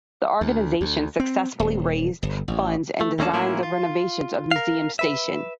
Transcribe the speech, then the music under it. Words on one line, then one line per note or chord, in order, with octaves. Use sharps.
The organization successfully raised funds and designed the renovations of Museum Station.
D2
D2
C4
D#1
G1
A1
A3
D#2 A3 A#3 C#4 D4 A5
A2 F#3 A#3 C#4 E4 F4
F4
A#4 F5
B4 E5